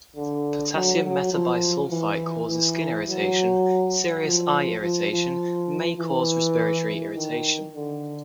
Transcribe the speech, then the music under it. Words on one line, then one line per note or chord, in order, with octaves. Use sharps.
Potassium metabisulfite causes skin irritation, serious eye irritation, and may cause respiratory irritation.
D3
F#3
F#3
F3
E3
E3
F#3
F3
F3
F3
E3
D#3
D3